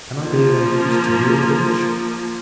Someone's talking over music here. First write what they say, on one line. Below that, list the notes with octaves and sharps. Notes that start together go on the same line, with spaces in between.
Can I be of any use to you in the village?
F3 A#3